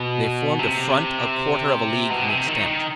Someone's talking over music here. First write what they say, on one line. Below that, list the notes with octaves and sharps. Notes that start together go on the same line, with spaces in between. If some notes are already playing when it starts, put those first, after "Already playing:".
They formed a front a quarter of a league in extent.
Already playing: B2
C3
B2
C3
D#3
D#3